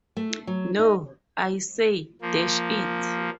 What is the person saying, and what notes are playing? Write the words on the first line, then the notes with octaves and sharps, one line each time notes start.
No, I say, dash it!
A3
F#3
D#4
F3 A#3